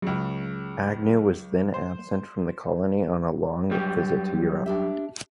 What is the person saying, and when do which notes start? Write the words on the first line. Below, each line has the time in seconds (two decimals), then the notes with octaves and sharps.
Agnew was then absent from the colony on a long visit to Europe.
0.02 C#2 C#3 F#3
1.74 C5
3.71 F#2 G3
4.66 D4 G4 E5